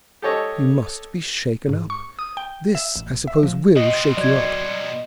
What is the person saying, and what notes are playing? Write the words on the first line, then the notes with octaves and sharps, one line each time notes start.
You must be shaken up. This I suppose will shake you up.
G4 A4 C#5 D#5
G#2
C#6
D#6
G5
E5
A1
E5
F3
B2 C4 D#5
F#3 D5 G#6